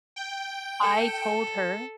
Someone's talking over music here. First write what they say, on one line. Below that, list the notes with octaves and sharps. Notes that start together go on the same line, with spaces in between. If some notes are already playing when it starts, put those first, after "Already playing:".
I told her
G5
A4